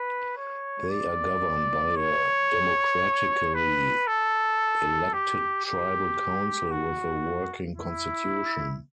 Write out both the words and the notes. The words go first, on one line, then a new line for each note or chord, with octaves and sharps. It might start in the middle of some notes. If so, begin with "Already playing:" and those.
They are governed by a democratically elected tribal council, with a working constitution.
Already playing: B4
C#5
D5
C#5
B4
A4
G4
G4
F#4
E4